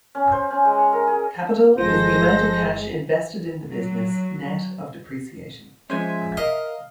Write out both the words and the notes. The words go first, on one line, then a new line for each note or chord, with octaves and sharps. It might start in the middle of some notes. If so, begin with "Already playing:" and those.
Capital is the amount of cash invested in the business, net of depreciation.
C#4
C5
C#4
G#3
C#5
A#4
G#4
G1 F3 G#3 A4 C5 A#6
F#3
F3 G#3 C#4 C5 E5 G#5
A#4 D#5 F5